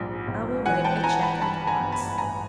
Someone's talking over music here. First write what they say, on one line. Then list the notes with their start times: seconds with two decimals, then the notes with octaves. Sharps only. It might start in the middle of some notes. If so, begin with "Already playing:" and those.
I will write a cheque at once.'
Already playing: A#1 G#2 G3
0.28 A#1
0.66 E3 F#5 G#5
0.84 G5 A5
1.04 E3 G#5 A#5
1.23 A5 B5
1.42 G2 A5 B5
1.67 G#5 A#5
1.80 G1
1.92 A5 B5
2.18 A1 G#5 A#5